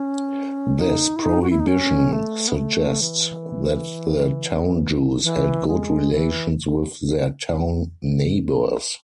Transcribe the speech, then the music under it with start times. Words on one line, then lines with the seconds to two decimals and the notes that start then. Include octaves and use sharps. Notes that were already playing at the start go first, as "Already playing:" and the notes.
This prohibition suggests that the town Jews held good relations with their town neighbours.
Already playing: C#4
0.79 D#4
1.16 E4
1.23 D#4
1.42 F#4
1.50 E4
1.60 D#4
1.67 C#4
2.12 A3
2.48 B3
2.56 A3
3.01 E3
5.23 E3
5.68 G#3
6.12 E3